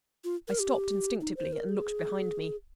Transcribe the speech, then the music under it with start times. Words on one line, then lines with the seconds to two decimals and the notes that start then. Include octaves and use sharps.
I stopped instinctively, and looked behind me.
0.24 F4
0.48 A#4
0.60 G4
1.21 D#4
1.37 C5
1.53 A#4
1.69 G#4